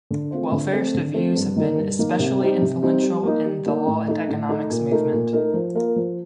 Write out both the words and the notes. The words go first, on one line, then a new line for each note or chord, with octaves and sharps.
"Welfarist" views have been especially influential in the law and economics movement.
D3
A3 C4 F4 C5
D3
A3 C4
D3
A3 C4
G2
D#3 A#3 D#4 A#4
G2
D#3 A#3 D#4 A#4
C3
G3 C4 D#4
C3
G3 C4 D#4
G3
A#3 D#4
G3
A#3 D#4
A2
A3 D#4
A2
A3 D#4
A#2
A3 D#4 A#4
A#2
A3 D#4 A#4
F3
A#3 F4 A#4
F3